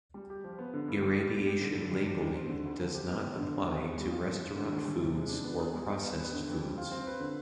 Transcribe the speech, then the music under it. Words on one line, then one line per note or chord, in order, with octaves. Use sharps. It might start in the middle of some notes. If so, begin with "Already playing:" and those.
Irradiation labeling does not apply to restaurant foods or processed foods.
G3
G4
F3
B3
D3
G2
G3
G4
B3
G4
D3
G2
D#3
D4
D#3
C4
D3
D2
F3
G4
B3
D#3
D3
C4
B3
G#4
G3
F4
F3
G2
D3
D#2
G3
C3
G#3
D4
B3
G#4
G3
D#4
B3
B4
D3
F2
G3
F4
C4
B4
D3